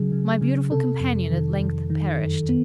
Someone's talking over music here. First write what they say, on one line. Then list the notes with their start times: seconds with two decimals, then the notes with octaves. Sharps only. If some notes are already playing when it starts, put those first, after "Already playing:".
My beautiful companion at length perished.
Already playing: C#3 F#3 G#4
0.12 C#3
0.41 C#3
0.71 C3 A4
1.00 F2
1.31 D#3
1.60 F2
1.90 D#3
2.20 F#2
2.49 B3